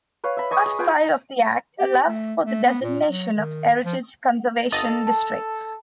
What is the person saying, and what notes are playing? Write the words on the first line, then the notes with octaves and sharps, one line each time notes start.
Part Five of the "Act" allows for the designation of heritage conservation districts.
B4 C#5 F5
E5 B5
D#5 G#5 C#6 D#6
G#4
F4 B4 G5 G#5
G4
A3
A3
B3
A#2
F#3
D#3
F3
G1 A4 D#5 A6
A5